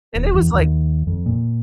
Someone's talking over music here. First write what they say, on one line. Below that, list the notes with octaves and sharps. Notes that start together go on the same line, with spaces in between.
And it was like
E1
E2
D#2
F2
A#2